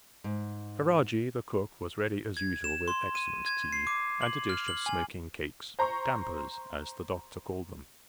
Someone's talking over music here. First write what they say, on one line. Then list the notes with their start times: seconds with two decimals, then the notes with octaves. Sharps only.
Ferajji, the cook, was ready as usual with excellent tea, and a dish of smoking cakes; "dampers," as the Doctor called them.
0.24 G#2
2.37 G#6
2.64 E7
2.88 C6
3.15 D#7
3.46 G#6
3.73 C7
3.87 D6
4.22 F#7
4.49 F6
4.68 F#7
4.86 G#5
5.79 C5 A#5 C6 C#6